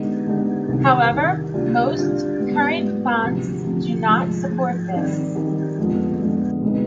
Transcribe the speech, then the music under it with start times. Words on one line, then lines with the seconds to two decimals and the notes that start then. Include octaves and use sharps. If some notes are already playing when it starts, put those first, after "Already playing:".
However, most current fonts do not support this.
Already playing: D3 G#3 B3 D#4 G4
0.27 D3 G#3 B3 D#4 G4
0.69 C2 C3 D#3
1.11 C2 C3 D#3
1.54 D2 C3 G3 D4 F4
1.96 D2 C3 G3 D4 F4
2.38 G#2 G3 B3
2.81 G#2 G3 B3
3.23 D2 C3 F3
3.66 D2 C3 F3
4.08 G#2 F3 G#3
4.51 G#2 F3 G#3
4.93 D#3 G3 C4 D#4 G4
5.35 D#3 G3 C4 D#4 G4
5.78 F2 D3 G#3 B3 F4
6.20 F2 D3 G#3 B3 F4
6.63 B2 G#3 C4 D#4 B4